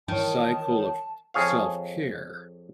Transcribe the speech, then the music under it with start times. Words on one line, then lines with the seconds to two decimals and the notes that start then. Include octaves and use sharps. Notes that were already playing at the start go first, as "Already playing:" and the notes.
cycle of self-care
0.08 D#3 E3 C#5 A5
1.34 F2 G#4 C#5 F5